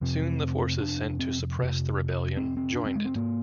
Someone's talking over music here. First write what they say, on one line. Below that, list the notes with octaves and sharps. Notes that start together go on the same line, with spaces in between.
Soon, the forces sent to suppress the rebellion joined it.
F2 C3 C4
D4
C4
F2 C3
C4
C4
D4
C4
G#3
C4
G#2 A#3